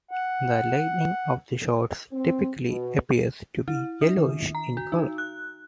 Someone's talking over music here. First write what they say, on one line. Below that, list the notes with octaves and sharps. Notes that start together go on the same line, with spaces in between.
The lighting of the shots typically appears to be yellowish in color.
F#5
C4
B2
E4
D4
D#3
A#5
F#4
D#4
F#6